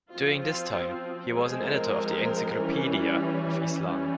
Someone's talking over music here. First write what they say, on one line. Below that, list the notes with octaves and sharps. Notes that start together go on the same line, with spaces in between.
During this time he was an editor of the Encyclopaedia of Islam.
F3 C4 F4
F4
F4
F3 G#3 C4 G#4
A#4
E3 G3 C#4
E3 G3 C#4